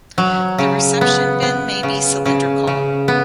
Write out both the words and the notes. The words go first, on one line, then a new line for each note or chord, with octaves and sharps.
The reception bin may be cylindrical.
F#3
C#3
B3
B3
C#3
C#3
C#3
B3